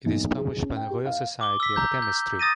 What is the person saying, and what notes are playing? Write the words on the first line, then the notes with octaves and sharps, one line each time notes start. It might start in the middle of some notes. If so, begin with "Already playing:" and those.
It is published by the Royal Society of Chemistry.
B1
G#4
C#4
G5
G4
F5
D6 G7
E6 B6
A#5 G6
G6
D#6 A6 A#6 D#7